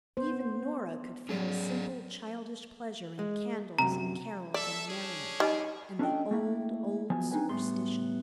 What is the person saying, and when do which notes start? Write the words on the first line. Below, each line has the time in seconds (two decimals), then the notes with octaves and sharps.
Even Norah could feel a simple childish pleasure in candles and carols and merriment, and the old, old superstition.
0.17 B3 C5
1.29 F#3 C#4 G#4 D5
3.19 G#3
3.79 F#2 C3 A#5
4.54 A4 D5 E5
4.88 C#4 D4 G#4
5.40 G3 D#4 D#5 G#5
5.99 C#4 D4 A4 D5 D#5 G5
6.31 A3 A#3 E4
7.10 F3 F#3 B3 G#5
7.32 C4 D4 D#4 B4 G#5
7.49 A2 G3 B3 C6